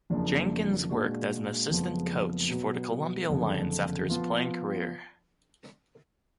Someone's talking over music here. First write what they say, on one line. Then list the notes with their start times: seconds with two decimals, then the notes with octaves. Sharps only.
Jenkins worked as an assistant coach for the Columbia Lions after his playing career.
0.10 F#1 F2 F3 A#3 D4
0.89 A#2 G#3 D4 F#4
1.69 F#1 F2 F3 G#3 B3
2.49 B2 F#3 B3
3.29 F#1 F2 D3
4.09 F3 B3 F4